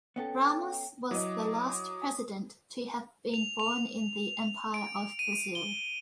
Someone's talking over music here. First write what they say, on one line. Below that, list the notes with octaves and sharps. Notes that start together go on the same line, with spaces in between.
Ramos was the last President to have been born in the Empire of Brazil.
B3 C#4 A4 G5
F#3 E4 D#5 D6 D#6
F7
F7
D7
D#7
G7